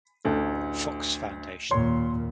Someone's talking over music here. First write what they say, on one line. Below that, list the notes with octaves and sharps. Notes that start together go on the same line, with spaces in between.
Fox Foundation.
A1 D2 A4
D#2 A#2 C#5 C6